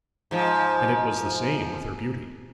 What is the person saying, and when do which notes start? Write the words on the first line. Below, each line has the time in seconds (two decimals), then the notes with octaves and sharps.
And it was the same with her beauty.
0.31 G#2 F3